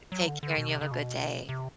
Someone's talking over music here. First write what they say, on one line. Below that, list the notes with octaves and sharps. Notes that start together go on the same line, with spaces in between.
Take care, and you have a good day.
F#3
D3
D3
B2
C3
C#3
B2
C3